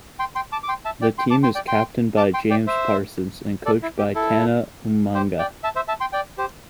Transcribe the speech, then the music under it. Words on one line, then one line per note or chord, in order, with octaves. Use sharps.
The team is captained by James Parsons and coached by Tana Umaga.
G5 C6
G5 C6
A5 D6
D6
G5 C6
E5 A5
D5 G5
G5 C6
A5 D6
G5 C6
D5 G5
G5 C6
A5 D6
G5 C6
D5 G5
C5 E5
A4 D5
E4
G4
E4 A4
G4 C5
D5 G5
E5 A5
C5 E5
E5 A5
G5 C6
D5 G5
G4 C5